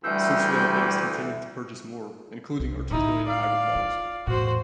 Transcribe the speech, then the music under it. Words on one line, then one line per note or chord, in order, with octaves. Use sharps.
Since then it has continued to purchase more, including articulated hybrid models.
D2 E3 G3 E5 E6 G6
C2
A2 D3 D#4 E4
D5 F5
F4
E2 A2 F#4 C5